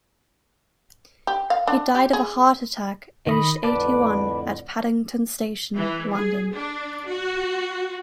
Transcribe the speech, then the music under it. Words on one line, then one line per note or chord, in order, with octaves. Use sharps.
He died of a heart attack, aged eighty-one, at Paddington Station, London.
G4
F5
D4
G4
G#4
D#3 D#5 B5
F2 A2 D3 B4 D5 A5
E3
G#4
D4
F#4